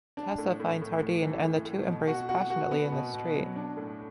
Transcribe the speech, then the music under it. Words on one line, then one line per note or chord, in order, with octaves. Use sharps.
Tessa finds Hardin and the two embrace passionately in the street.
D4
A2
A2
A2
A2
E3
A2
A2
B2
F#4
F#4
F#4
B3
B2
B2
F#3
D4
A2